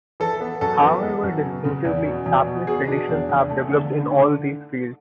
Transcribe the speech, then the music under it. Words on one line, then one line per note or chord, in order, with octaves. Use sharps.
However distinctively Japanese traditions have developed in all these fields.
E3 A4
B3
F#2 A4
E3
B3
F#2
C#3
C#3
E2
B2
E2
B2
B2 G#4
D4
E2
E2
A3
D3
D3
D3